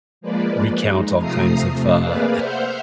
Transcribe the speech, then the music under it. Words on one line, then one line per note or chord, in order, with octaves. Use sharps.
recount all kinds of, uh,
F3 G#3 A#3 B4 D5
G#3 D#4
C3 F3 A3 A#5 D#6 C7
C3 A3
A#3 G#4 B4 D5 F5
C5 E5 F#5 F6 G6